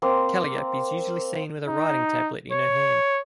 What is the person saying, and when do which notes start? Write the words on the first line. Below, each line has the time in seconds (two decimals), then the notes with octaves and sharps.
Calliope is usually seen with a writing tablet in her hand.
0.02 A#3 C4 C6
1.68 D#4
2.52 C#5